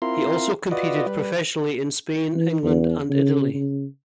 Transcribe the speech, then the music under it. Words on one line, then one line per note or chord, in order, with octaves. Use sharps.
He also competed professionally in Spain, England and Italy.
C4 E4 F4 A#4 C6
F4 F#4 B4 D5 D#5
G3 B4
E3
E2
C#3
C#3